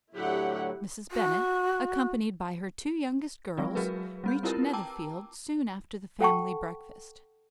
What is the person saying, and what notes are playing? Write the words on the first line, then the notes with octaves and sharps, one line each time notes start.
Mrs. Bennet, accompanied by her two youngest girls, reached Netherfield soon after the family breakfast.
A2 D3 F#3 E4 G4 F#5
F#4
F#3 G#3 C4 F4
F#3 F#4 G#4 A#4 B4
G3 C4 G6
C4 E4 F4 G4 A#4 B4
G5 A5 A#5 D6 E6
A4 F#5 G5 A5 C#6